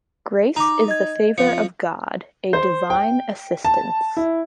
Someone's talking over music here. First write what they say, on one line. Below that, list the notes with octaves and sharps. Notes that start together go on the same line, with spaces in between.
Grace is the favor of God, a divine assistance.
D#4 A#5 D6
D#5 G#6
F2 F3 C#7
C5
G5
A5
E4